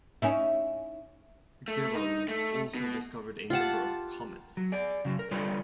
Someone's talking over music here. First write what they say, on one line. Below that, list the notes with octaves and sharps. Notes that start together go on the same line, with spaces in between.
Gehrels also discovered a number of comets.
C#4 D#4 E4
A3
D#4
A3
B2
F4 G4 F#5 A5
F#3
G#4 D5
C#3 F#3
A#4
D3 G3 F4 B4 C#5 D5